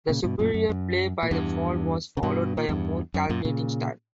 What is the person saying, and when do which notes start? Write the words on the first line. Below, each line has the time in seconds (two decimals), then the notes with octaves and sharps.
The superior play by the fall was followed by a more calculating style.
0.09 A#2 C#3
0.24 G2 B2
0.39 F#2 A#2
0.54 F#2
0.69 F#2
1.23 A#2
1.31 E2 G2
2.17 C#3
2.23 G2 B2
2.57 A#2
2.69 E2 G2
3.14 F#2
3.29 F#2 A#2
3.45 A#2 C#3